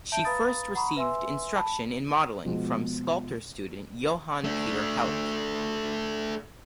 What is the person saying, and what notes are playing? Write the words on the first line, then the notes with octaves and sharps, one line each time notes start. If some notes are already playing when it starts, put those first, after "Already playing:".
She first received instruction in modeling from sculptor student Johan Peter Heldt.
E5 A5 G6 D7
B4 F5 A#5 B5 D#6 A6
F#5 A#5 B5 C#6 D#6
B4 E5 G#5 C6 E6
A5 B5
B2 F3 G#3 B3
A3 D4